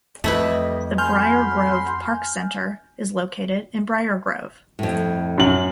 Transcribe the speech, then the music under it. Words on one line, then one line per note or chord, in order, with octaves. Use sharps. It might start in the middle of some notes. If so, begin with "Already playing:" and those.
The Briargrove Park Center is located in Briargrove.
F2 G3 A3 E4 B4 D#5
F#4 G#5 B5 C6 F6 G6
F2 A2
F#2 F#7